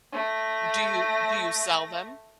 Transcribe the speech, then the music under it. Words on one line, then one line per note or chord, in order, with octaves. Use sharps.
W do you do you sell them?
A3 A#6